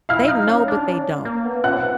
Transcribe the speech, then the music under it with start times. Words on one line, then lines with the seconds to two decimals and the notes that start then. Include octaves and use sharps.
they know, but they don't.
0.09 E4 F5 F6
0.28 D#4
0.48 C#4
0.68 D4
0.86 C#4
1.25 A#3
1.45 B3
1.64 C#4 F#5 F#6
1.73 C4
1.81 B3